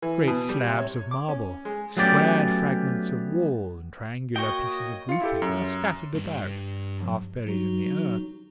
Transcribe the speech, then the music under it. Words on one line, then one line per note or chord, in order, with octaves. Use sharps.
Great slabs of marble, squared fragments of wall and triangular pieces of roofing, are scattered about, half-buried in the earth.
E3
B2
G3
C3
C#5
D6
C#4
G#3
F#3 A3 B3 C#4 G4 D5
A#3 F#4 C#5 D#5 G5 C#6
F4 F5 C#7
E4 G4 A4
F#2
G2
F#3 D#4 F#4